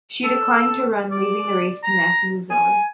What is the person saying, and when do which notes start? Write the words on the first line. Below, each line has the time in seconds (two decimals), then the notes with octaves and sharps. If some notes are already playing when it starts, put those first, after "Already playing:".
She declined to run, leaving the race to Matthew Zeller.
0.24 A4
1.11 D5
1.84 A#5
2.50 G#5